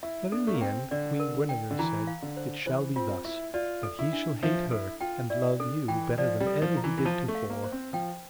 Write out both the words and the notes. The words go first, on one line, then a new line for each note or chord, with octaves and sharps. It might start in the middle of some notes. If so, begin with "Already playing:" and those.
But in the end, Queen Guenever said, it shall be thus, that he shall hate her, and love you better than ever he did to-fore.
E4 E5
D4 A4
A3
A#3
C4 G5
D3 D5
A#4
G5
D3
E3 A#5
F5
D3
C5
E3 C5
C4 F4
E4 E5
F4 D5
A4
E4
D4
F3 E5
E4 A4
F4 G5
E4 D5
D4 A4
E3 G5
F3 D5
G3
A4
F3
E4
E3
E3
F3 A5
A3
F5
A#3
C5
C4
F3 G5